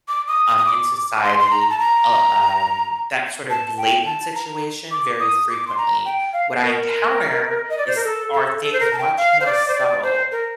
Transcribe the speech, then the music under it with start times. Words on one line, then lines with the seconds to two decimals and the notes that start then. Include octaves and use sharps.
um, in society, uh, um, that sort of blatant situation very frequently. What I encounter is are things much more subtle,
0.08 D6
0.28 D#6
0.47 D#6
0.58 D#6
0.66 D6
1.15 D6
1.23 C6
1.40 C6
1.51 A#5
1.70 A5
1.79 A#5
3.50 A5
3.78 G5
4.02 G5
4.06 A5
4.35 A#5
4.91 D6
5.20 D#6
5.49 D6
5.68 C6
5.77 A#5
6.05 G5
6.33 F5
6.63 A#4
7.70 D#5
7.78 D5
7.87 C5
7.96 A#4
8.04 A4
8.33 A4
8.61 A4
8.73 C5
8.80 A#4
8.93 A5
8.98 G5
9.17 F5
9.40 C5
9.46 D5
9.68 C5
9.75 D5
10.03 C5
10.32 A#4